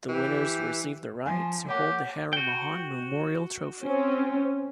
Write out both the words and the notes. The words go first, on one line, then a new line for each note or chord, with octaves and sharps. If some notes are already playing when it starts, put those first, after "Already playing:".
The winners receive the right to hold the Harry Mahon memorial trophy.
E3 G4
F3 G#5
A#3 G4 C#5 F#5
F#4 G5
C4 C#4